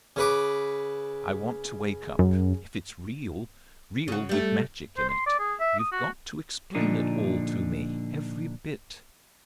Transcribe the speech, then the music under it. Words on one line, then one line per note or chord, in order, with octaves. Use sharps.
I want to wake up. If it's real--real, with magic in it--you've got to explain it all to me--every bit.
C#3 B4 D6
F#2
C#3 F#4
G3 A3
C5
C6
D5
G#4
E5
D#6
F#4
A#2 D3 F3 D4 D#4